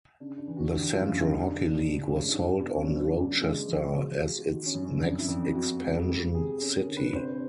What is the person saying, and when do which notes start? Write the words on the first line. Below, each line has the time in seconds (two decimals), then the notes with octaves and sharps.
The Central Hockey League was sold on Rochester as its next expansion city.
0.20 C#3 D4
0.38 D4
0.47 E3
0.57 F#4
0.74 D3 G4
0.92 F4
1.01 F#2
1.09 E4
1.27 D3 D#4
1.45 D4
1.54 G3
1.63 D4
1.81 G#2 D4
2.07 G#3 C#4
2.29 D#4
2.34 G2 D4
2.61 B3
2.76 C#4
2.88 F#3 D4
3.14 C#3
3.41 G#3
3.68 F3
3.94 B2
4.12 F#4
4.22 B2
4.29 G4
4.48 D#3 F#4
4.66 C#4
4.74 F#2
4.84 C#4
5.01 F2 D4
5.19 E4
5.28 F2
5.54 B3 F#4
5.81 G#3
5.90 A4
6.08 G#3 G4
6.24 G4
6.35 C3 G#4
6.61 C#4 A4
6.79 A#4
6.88 D3
6.97 B4
7.14 C3 C5